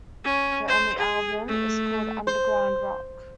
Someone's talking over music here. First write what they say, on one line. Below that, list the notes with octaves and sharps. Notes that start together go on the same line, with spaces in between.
Their only album is called "Underground-Rock".
C#4
C5
G#4
A3
C5